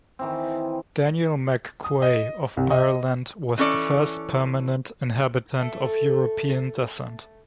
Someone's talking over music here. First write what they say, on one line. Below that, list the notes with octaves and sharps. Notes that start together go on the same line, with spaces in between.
Daniel McQuay of Ireland was the first permanent inhabitant of European descent.
D#3 E3 C4
D#6
D#5
C2
D#5
E3 C#4 A4 D5
A3 A4